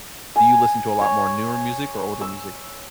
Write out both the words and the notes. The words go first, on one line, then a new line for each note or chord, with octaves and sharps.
Do you listen to a lot more newer music or older music?
G#5
C#5
E6